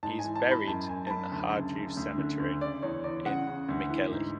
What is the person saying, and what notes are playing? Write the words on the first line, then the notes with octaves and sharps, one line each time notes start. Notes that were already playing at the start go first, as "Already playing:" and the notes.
He is buried in the Harju cemetery in Mikkeli.
G#2 A5
G#5
E3
A5
E3
B5
F#2 A5
F#2 G#5
A5
F#2 B5
D2 A5
C#3
C#3
D2
D3
D2
C#3 D5
E2 C#5
E2 D5
C#3 F#5
C#3
D2
E3
G#2